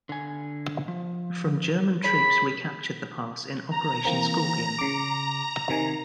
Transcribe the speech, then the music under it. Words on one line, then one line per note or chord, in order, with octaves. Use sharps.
From German troops recaptured the pass in Operation Skorpion.
D3 G#5
F3
G#4 C#5 B5
A#5
E3 A#3 C4
C#3 D6
C3 D#3 G#5